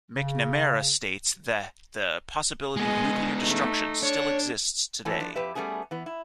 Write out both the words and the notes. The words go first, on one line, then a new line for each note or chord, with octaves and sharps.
McNamara states that the possibility of nuclear destruction still exists today.
C#3
G#3 B3 G#4 D#5
A3 D#4
D4 C#5
E3 A3 C#4 F#4 A4
F3 D4
F2 G4 B4 E5
G3 A3 B3 C#4 G#4
E3 B3
E4